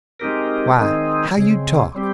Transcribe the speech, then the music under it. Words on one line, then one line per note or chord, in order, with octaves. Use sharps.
Why, how you talk!
G#3 C4 D#4 G4 A#4
D#3 G#3 C4 D#4
C#3 G#3 C4
G3 C4 G4